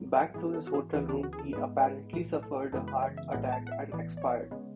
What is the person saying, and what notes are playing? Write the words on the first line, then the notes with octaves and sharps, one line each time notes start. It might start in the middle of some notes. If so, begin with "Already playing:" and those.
Back to his hotel room he apparently suffered a heart attack and expired.
Already playing: G#1 G#2 F#3 B3
A4
G#2 E3 B3 G#4
A4
F#4
G#4
D2 C#3 E3 B3 C#4
D4
F#4
G#4
A4
G#2 G#3 B3 B4
B4
B1 A2 E3 A3 B4
A4
F#2 C#3 E3 G#3 B3 A4
B4
C#5
E5
A1 A2 G#3 B3 F#5
A5
F#5
E5
A1 A2 E3 B3 D5
D5
C#5
C#3 G#3 B3